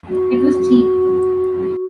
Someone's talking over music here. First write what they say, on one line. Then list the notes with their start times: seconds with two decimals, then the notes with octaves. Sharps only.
It was cheap.
0.09 F#4